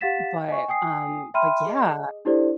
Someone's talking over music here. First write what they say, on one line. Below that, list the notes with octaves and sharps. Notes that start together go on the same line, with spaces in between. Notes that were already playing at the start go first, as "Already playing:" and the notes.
But, um, but, yeah.
G4 F5 F#5 A6 B6 E7
D#5 G#5 C#6
G5 G#5 D#6 C7
E5 G5 B5 C6 F6 D#7
G#4 D#5
D4 E4 G4 A4 C5 D5